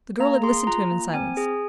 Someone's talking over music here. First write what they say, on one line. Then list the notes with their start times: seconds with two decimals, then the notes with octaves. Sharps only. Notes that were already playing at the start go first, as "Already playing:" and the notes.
The girl had listened to him in silence.
0.20 A#3 A#5
0.44 G#4 C6
0.67 F4 A#5
0.91 A#3
1.14 C4 G#5
1.37 G#4